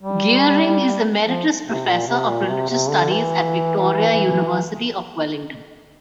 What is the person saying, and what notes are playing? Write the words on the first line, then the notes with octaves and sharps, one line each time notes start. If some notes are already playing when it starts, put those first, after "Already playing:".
Geering is Emeritus Professor of Religious Studies at Victoria University of Wellington.
G3
F3
C3
A#2
C3
A#2
C3
C3
D3
E3